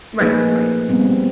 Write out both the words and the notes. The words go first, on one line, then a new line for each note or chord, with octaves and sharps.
Right, right.
F3 A3 A#3 D#4 G#4 B4
G3 B3 C4